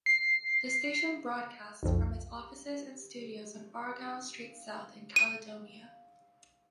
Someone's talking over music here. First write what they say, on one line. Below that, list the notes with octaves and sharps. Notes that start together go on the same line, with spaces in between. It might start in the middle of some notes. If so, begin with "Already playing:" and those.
The station broadcasts from its offices and studios on Argyle Street South in Caledonia.
C7
B1 F2
D#7